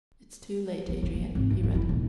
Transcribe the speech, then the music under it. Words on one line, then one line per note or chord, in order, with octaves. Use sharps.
"It's too late, Adrian," he read.
B3
D#3
A#3
G#1
F#2
F3
E4
D#1